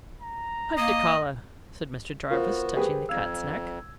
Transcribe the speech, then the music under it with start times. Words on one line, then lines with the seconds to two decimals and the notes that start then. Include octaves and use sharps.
"Pipe de collar," said Mr. Jarvis, touching the cat's neck.
0.21 A#5
0.78 A#3 D#5
2.31 B3 F4 F#4 A#4 C5
2.77 G4 G#4 B4
3.09 F2 F5 E6 G#6